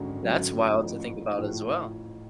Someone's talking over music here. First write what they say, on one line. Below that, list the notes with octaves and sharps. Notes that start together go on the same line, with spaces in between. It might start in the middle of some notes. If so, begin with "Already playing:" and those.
That's wild to think about as well.
Already playing: G#1 F#2 D3 F#3
G#1 F#2 D3 F#3
A1 A2 F3
A2 F3